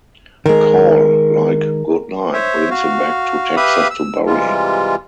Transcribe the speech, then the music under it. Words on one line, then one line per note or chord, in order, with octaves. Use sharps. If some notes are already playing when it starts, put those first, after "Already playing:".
Call, like Goodnight, brings him back to Texas to bury him.
D#3 G#3 A#4
C5 C#5 E5
F#4 F5
G4 B4 E5 F5 B5 D#6
E6
C3 E3 G3 G#3 F4